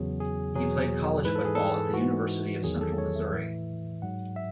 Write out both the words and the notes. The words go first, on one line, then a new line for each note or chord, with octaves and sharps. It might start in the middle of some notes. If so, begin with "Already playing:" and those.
He played college football at the University of Central Missouri.
Already playing: E2 C#3 F#3 G#4
G#4
E2 B2 F#3 G#4
G#2 E3 B4
A4
G#4
A4
G#2 E3 F#4
E2 D#3 F#3 G#4
A4
C#5
E5
A2 E3
G#2 F#3 F#5
E5